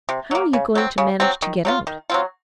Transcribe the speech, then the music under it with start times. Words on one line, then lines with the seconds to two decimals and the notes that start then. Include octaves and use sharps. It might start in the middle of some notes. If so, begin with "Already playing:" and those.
"How are you going to manage to get out?"
0.09 C3
0.31 F#3 A#3
0.53 C#3
0.75 F#3 C4
0.98 C#3
1.20 F#3 C4
1.42 D#3
1.65 F#3 C4 F4
1.87 D#3
2.10 F#3 C4 F4